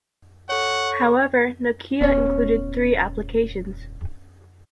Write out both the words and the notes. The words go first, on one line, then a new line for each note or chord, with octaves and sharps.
However, Nokia included three applications.
A4 C#5 F#5 C#6
D#1 B3 C#4 C#5